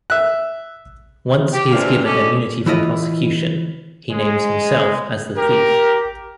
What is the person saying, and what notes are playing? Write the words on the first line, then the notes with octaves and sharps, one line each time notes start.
Once he is given immunity from prosecution, he names himself as the thief.
E5 F#6
G4
F2 C3 E3 C4 D4 F5
F#3 C#4 D4 G4 A4 D#5
E3 E4 F4 D#5
G#3
G4 A#4